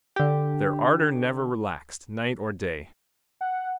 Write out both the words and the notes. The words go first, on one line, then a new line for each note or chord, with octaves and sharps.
But their ardor never relaxed, night or day.
D3 G4
F#5